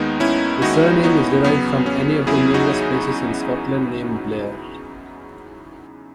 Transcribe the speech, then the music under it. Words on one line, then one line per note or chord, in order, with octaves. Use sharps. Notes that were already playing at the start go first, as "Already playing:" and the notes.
The surname is derived from any of the numerous places in Scotland named "Blair".
Already playing: D#2 D#3 G#3 B3 D#4
C#4 E4
D#2 D#3 G#3 D#4 F#4
B3 D#4
E2 C#3 F#3 B3
C#4
E2 C#3 F#3 E4 G#4
D#4 F#4